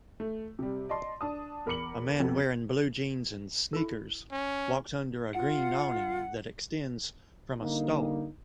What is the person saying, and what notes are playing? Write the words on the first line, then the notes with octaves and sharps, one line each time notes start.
A man wearing blue jeans and sneakers walks under a green awning that extends from a store.
A3
C3 G3
D5 D#5 A5 C6
D4 A5 D#6
E2 A#4 B5 D6 C#7 F#7
F2 C3 F#4 A4
E4 A4
C#4
F4 F#5
D3 G3 A#3 D#4